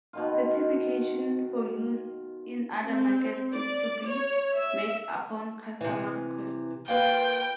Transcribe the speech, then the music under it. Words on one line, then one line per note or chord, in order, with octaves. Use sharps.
Certification for use in other markets is to be made upon customer request.
B2 D#3 F4
C4
D5
C#5
E5
C3 E3
A#3 F4 B4 G5